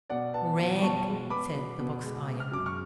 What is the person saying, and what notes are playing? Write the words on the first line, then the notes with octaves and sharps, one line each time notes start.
"Rag!" said the box-iron.
B2 D5 F#5
B3 F#5 A5
B2
B2 A5 C#6
G#3
B3 B5 D6
B2
B2
G#3
G#3
F6
F#2 D6
C#6 F6